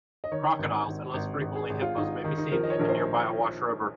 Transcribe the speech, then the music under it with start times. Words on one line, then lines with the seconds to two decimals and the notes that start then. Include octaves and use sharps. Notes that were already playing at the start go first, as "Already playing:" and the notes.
Crocodiles and, less frequently, hippos may be seen in the nearby Awash River.
0.24 D#5
0.32 D#3 C#5
0.59 G#1
0.87 G#1
1.14 G#1
1.42 G#1
1.56 G#4
1.70 G#1
1.82 F4
1.97 G#1 D#4
2.24 D#3 D#4
2.38 D#4
2.52 F3 A#4
2.63 D#5
2.70 C#5
2.79 A#1 A#4
2.89 C5